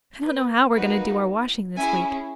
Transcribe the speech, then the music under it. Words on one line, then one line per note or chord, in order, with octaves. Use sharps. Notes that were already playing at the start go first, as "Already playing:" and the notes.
I don't know how we are going to do our washing this week.
B4
A#3 D#4 F#4 B4
C#4 E4 G#4 E5 G#5